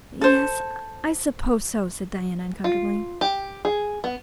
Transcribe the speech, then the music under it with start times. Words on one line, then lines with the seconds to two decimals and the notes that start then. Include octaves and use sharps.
"Yes, I suppose so," said Diana uncomfortably.
0.21 A4 C5
2.64 F4
3.21 G4
3.65 G#4
4.04 B3